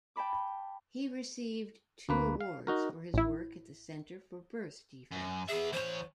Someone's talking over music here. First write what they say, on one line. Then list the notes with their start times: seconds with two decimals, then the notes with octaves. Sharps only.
He received two awards for his work at the Center for Birth Defects.
0.16 G5 A5 B5 D6
2.09 D2 A#3 B4
2.41 F5
2.67 D#4 F#4 A#4
3.14 A1 E4
5.12 F#2
5.49 B3 G#4 E5
5.73 E3 C5 C#5